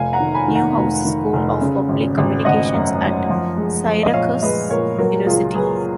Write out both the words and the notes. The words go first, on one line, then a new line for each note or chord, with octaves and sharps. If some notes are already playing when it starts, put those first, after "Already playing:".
Newhouse School of Public Communications at Syracuse University.
Already playing: F1 F5 G#5
F#5 A#5
D#3
G#5 B5
D#3
F#5 A#5
F1
D#3
F1
C#3
G#1
G#1
G#1 D#5 F#5
F#2
F#2
F3
G#3
F3
D#5
A#2 C#5 F5
G#3 B4 D#5
A#2 A#4 C#5
F#3 F#4 A#4
C#2 F4 G#4
F#3 G#4 B4